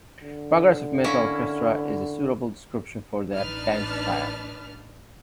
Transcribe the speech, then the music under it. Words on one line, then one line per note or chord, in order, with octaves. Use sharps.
"Progressive metal Orchestra" is a suitable description for the band's style.
D3
A#3 C#4 E4
A1 D4 D#4 B4 A5 F6